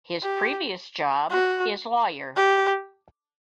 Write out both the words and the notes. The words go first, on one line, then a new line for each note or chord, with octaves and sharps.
His previous job is lawyer.
G4
F#4
G4